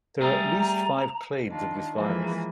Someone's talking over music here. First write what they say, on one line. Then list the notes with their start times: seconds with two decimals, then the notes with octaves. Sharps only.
There are at least five clades of this virus.
0.21 G3 A3 G#4 A#5
1.46 D#3 D4 F4
1.94 E3 F3 G#3 A#3 B4